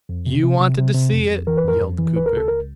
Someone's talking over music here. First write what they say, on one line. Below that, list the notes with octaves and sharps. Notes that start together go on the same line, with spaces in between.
"You wanted to see it," yelled Cooper.
F2
C3
C3
C3
C3
C3
F2
F2
E3 A#4
B4
F2 A#4
F2
E3
C#2 B4
A#4
C#2 A4
C#2 A#4